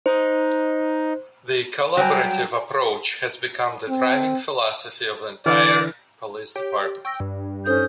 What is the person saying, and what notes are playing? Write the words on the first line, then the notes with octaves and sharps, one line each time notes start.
The collaborative approach has become the driving philosophy of the entire police department.
D#4 C5
F#3 G3 G5 G#5
C4
D3 E3 D5 F6
G4 C#5
G5 C#6 E6 A#6
G2
C#4 D#4 A4 C5 D#6 G6